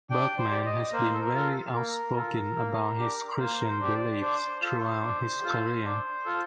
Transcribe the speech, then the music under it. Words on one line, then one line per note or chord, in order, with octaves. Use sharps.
Berkman has been very outspoken about his Christian beliefs throughout his career.
D4 G5
C5
G4 D5
D#5
A#3 C5
A4
A#4
F4 A4
A#3 A#4
F4 A4
A#3
D4 G4
A#4
A#3 C5
A#4
C5
D4 G4
C5
D5
D4 C5
F4 A4
D4
F4 A4
D4
F4 A4